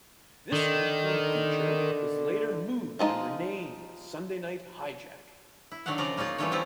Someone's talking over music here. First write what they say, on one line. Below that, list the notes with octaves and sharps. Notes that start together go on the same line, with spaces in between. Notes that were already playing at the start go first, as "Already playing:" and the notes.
This weekly feature was later moved and renamed Sunday Night Hijack.
D3 D#3
F3 G#3 C#4 D#4 F4
E4
D3 D#3 F#3 A3 F5 F#5
C#3 F3 A#4 D5 A#5
A#3 C#4 D#4 F4 G#4
E3 G3 A3 D#4 F4 C#5
F3 C4 E4 F4